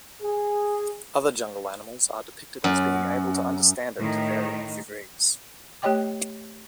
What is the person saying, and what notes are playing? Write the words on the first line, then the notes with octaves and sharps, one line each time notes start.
Other jungle animals are depicted as being able to understand it to varying degrees.
G#4
F#2
A2 D#3
A3 G4 C#5 D#5 G5 D6